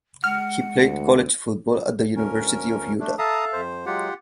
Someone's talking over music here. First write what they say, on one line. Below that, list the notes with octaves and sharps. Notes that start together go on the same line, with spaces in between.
He played college football at the University of Utah.
G#3 F#5 F6
D2
D2 C#4 A#4
A3 D4
A4 E5 F5 A5 A#5 D#6
F2 C5
F#3 G#3 F4 G4 F#5